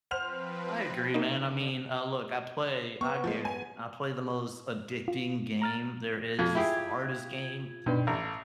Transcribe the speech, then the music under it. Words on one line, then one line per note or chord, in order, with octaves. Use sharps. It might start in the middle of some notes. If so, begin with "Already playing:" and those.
I agree, man. I mean, uh, look I play I get it, I play the most addicting game there is, it's the hardest game
F3 C4 B4 C5 F#5 F6 F7
D3 A#3 C4 D#4
B3 C#6
F3 G#3
G#5
F4
A#5 F6 A6
F2 F4 G#6
E4 G4 G#4
G2 B2 D#4 B4
A1 A#5